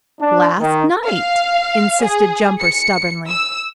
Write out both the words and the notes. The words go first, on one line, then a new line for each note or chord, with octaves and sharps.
"Last night," insisted Jumper stubbornly.
D4
D#3
F5
G#4
C#7
E6